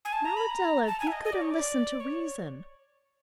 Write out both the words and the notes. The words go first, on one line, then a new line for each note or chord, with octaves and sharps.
"Now, Adela, be good and listen to reason."
G#5
A5
A#5
B5
A#5
A5
G#5
E5
D#5
D#5
D5
C#5
D5
C#5